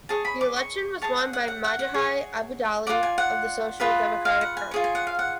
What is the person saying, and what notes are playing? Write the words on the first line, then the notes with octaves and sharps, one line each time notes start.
The election was won by Magaji Abdullahi of the Social Democratic Party.
G#4 C#5 A5
B5
D6
C#6
G#4 C#5 A5
F#5
F#5
F#5
F#5
F#5
G#4 C#5
F4 G#4 D5 F#5
G#5
F#5
F4 G#4 B4
F5
F#5
G#5
F4 G#4 C#5
G#5
F#5
F5
F#5